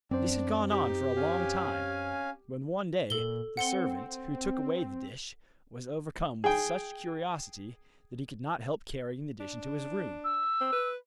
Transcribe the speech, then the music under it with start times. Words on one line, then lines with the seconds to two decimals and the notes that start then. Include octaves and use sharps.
This had gone on for a long time, when one day the servant, who took away the dish, was overcome with such curiosity that he could not help carrying the dish into his room.
0.11 F#2 C4 D4 C5 D5
0.69 D#4 G4
1.16 C#4 F5 G#5
3.10 A#2 A4 G7
3.57 C4 F#5 C#7 G7
6.44 G#4 G5
9.40 D4
10.24 E6
10.61 C4
10.72 B4